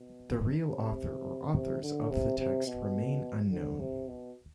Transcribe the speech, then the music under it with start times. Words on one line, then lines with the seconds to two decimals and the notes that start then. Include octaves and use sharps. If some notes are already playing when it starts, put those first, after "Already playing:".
The real author or authors of the text remain unknown.
Already playing: B2
0.69 C3
1.54 C3
1.82 D3
2.10 C3
2.38 C3
2.66 B2
3.51 D3
3.79 C3
4.08 B2